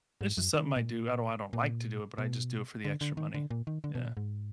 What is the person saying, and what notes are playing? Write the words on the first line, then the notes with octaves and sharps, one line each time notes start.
it's just something I do, I don't I don't like to do it, but I just do it for the extra money, yeah.
G#2
F#2
D#3
D3
A#2
A#2
B2
D3
D3
D#3
D3
A#2
D#3
D3
B2
A#2
G#2